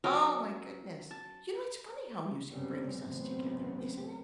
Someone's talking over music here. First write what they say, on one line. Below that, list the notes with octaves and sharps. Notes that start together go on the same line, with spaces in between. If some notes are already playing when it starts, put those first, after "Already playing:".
Oh my goodness. You know, it's funny how music brings us together, isn't it?
F#3 C#4 A#4 D#5
A5
F#2 C#3 G3 B3 C4
A1 F#2 C#3 B3 C4